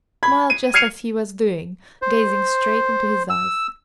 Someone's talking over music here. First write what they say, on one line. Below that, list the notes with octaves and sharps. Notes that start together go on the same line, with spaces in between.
She smiled just as he was doing, gazing straight into his eyes.
B5 G#6
D#7
F6 G#6 C7 C#7 D#7 F7
C5
E6